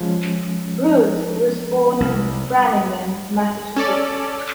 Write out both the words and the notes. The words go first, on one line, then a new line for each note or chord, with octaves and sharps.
Brooks was born in Framingham, Massachusetts.
F3 G#3 C#4
C2
C#4 A4 D5